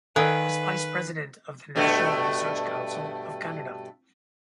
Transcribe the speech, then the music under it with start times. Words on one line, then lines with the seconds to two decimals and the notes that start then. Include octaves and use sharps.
He was Vice-President of the National Research Council of Canada.
0.16 D#3 A4 B4 D5 F5 G#5 E6 F#6
1.76 G2 B2 A3